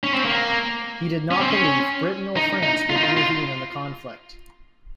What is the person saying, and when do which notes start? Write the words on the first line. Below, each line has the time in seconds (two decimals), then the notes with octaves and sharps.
He did not believe Britain or France would intervene in the conflict.
0.04 C#4
0.14 C4
0.25 A#3
1.31 C#4
1.40 C4
1.50 C#4
2.37 D#4
2.63 D#4
2.90 F4
2.97 D#4
3.04 F4
3.17 F4